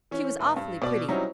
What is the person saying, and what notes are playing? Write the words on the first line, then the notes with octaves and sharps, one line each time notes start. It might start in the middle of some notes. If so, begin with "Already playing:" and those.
She was awfully pretty.
E3 C#4
F1
G2
B2 D5 D6
F#3 G3 C4 C#4 D#4 E4